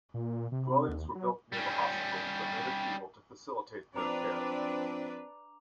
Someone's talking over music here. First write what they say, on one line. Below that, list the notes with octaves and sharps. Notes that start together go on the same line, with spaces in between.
Dwellings were built near the hospital for the native people to facilitate their care.
A#2
C3
C3
D#2
F#3
G3 C#4
F3 C4 D4 B4 D5 A#5 D6 F7